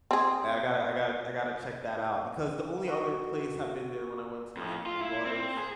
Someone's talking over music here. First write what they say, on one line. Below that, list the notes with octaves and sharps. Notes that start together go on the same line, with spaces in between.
Hey, I gotta I gotta I gotta check that out because the only other place I've been there, when I went to Miami, was
C4 G#4
F#4
F2
F4
E4
C4
G#4